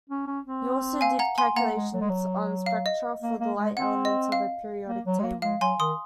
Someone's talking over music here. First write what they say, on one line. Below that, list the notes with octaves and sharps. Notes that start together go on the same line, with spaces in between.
He also did calculations on spectra for the light elements of the periodic table.
C#4
C#4
C4
F5 G#5
F#5 A#5
G#5 C6
A#3 F#5 A#5
G#3
F#3
G#3
F#3
F5
D#5
A#3
A#3
G#3
C4 F#5
D#5
F5
A#3
F#3
G#3
A#3
G#3 F5
F#3 G#5 C6
D#3 C6 D#6